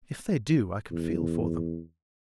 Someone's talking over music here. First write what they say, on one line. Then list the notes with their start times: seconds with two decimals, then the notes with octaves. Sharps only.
If they do, I can feel for them.
0.91 E2